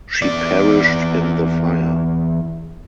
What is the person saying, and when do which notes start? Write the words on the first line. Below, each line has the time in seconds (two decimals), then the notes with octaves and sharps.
She perished in the fire.
0.22 E2 D5